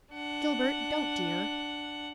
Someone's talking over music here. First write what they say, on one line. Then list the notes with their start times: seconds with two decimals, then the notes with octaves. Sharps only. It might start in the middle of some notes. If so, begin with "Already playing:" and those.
Gilbert, don't, dear!
0.13 D4 F#5